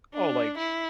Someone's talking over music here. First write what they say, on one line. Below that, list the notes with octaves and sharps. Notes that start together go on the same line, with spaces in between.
"Oh, like,
D4
E4